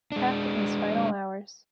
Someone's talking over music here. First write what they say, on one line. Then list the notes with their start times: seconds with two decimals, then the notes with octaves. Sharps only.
Cap in his final hours.
0.12 G#3 D4